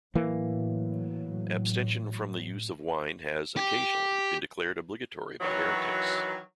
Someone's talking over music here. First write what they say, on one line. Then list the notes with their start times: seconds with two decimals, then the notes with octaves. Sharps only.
Abstention from the use of wine has, occasionally, been declared obligatory by heretics.
0.15 A2 E3 F#3 A#3
3.57 G4
5.41 D#3 E3 F#3